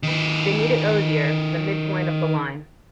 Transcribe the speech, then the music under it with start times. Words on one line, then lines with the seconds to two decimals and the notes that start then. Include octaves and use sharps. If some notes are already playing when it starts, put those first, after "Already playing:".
They meet at Osier, the midpoint of the line.
0.03 D#3 B4